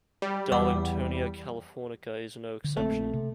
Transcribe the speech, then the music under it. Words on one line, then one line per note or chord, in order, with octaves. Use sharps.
"Darlingtonia californica" is no exception.
G3
E2 F#5 D6 E6
D3
A#1 A3 A#3 C4
C3